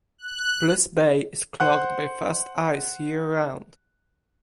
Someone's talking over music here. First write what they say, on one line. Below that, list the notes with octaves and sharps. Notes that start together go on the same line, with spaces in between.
Bliss Bay is clogged by fast ice year round.
F#6
C5 F#5 F#6